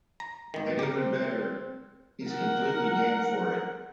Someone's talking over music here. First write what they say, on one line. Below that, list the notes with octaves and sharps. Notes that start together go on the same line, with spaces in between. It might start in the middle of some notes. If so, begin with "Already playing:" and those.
And even better, he's completely game for it.
A#5
G#1 D#3
G4 A#4
C4
A#4 F#5